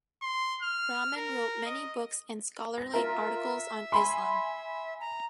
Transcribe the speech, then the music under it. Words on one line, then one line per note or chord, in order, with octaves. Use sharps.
Rahman wrote many books and scholarly articles on Islam.
C6
F6
A#4
D#5
A#6
F4 A#4 E5
G#5 B5 C6
A#5